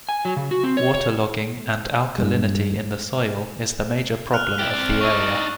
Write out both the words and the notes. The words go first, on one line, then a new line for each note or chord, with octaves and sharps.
Water logging and alkalinity in the soil is the major problem of the area.
G#5
F#3
C#3
F#4
C4
C#5
C#5
G2 G#3
F6 F#6 F7
E4 F4 G4 F#6 D7
C4 D5
D4 D#4 C#6 E6